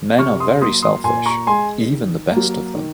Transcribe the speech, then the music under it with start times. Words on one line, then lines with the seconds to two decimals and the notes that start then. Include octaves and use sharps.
Men are very selfish, even the best of them.
0.18 C3 C#6 F6
0.40 C6 D#6
0.61 F#3 A#3 C6 D#6
0.82 C6 D#6
1.04 A#2 G#5 C6
1.26 A#5 C#6
1.47 G#3 G#5 C6
1.90 D#3
2.32 F#3 A#3
2.75 D#3